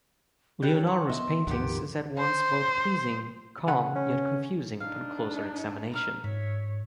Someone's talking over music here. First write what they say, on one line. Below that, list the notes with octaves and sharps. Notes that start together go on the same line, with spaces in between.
Leonardo's painting is at once both pleasing, calm yet confusing upon closer examination.
G3 A4 C#5 G5 F#6 G6
F#5 C6
B3 D#5 E5
C#2 G2 D#3 F3 B3 G4 D6
C5
C#3 F#5 B5
C#4
D4 D#4 F5
A#5 D#6 F6
G#2 C#5 E5